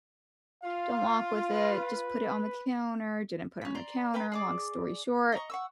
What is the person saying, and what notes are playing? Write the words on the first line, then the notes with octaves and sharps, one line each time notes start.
"Don't walk with it. Just put it on the counter." Didn't put it on the counter. Long story short,
F4 F5
B4
C#4 B5
D5 A#5 C6
B4 G5 A#5 B5
G#4 D5 D6
D#5 E5 A#5 C#6
F#5 C#6 E6